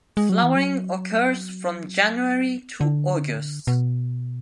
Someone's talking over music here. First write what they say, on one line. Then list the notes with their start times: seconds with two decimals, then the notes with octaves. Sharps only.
Flowering occurs from January to August.
0.17 G#3
0.29 F#3
0.43 E3
0.56 F#3
2.81 D3
3.67 B2